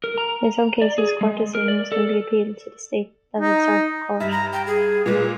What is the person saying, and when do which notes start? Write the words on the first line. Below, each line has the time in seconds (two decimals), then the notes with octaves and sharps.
In some cases, court decisions can be appealed to the state level circuit court.
0.04 A#4
0.18 A#5
0.82 D5
0.98 G#4
1.21 G#3
1.55 A#4
1.68 D5
1.92 A4
3.40 D#4
4.20 G2 E5
4.31 A#5
4.53 G5
4.67 G#4
5.06 A#2 G#3 B4